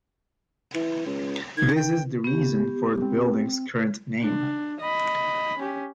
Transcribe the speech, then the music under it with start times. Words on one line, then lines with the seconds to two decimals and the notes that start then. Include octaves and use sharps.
This is the reason for the building's current name.
0.75 E3
1.06 C#2
1.57 D#3 G#6
1.76 G5
2.24 B3 G4
3.02 C4
4.22 D4
4.80 D#5 B5
5.58 C#4 G4